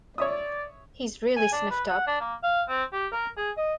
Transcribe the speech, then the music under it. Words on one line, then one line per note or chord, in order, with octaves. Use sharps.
He’s really sniffed up.
C#5 D5 E5 D#6
G#5
D4
B4
F#5
D4
A#3
F5
C4
G4
A#4
G#4
D#5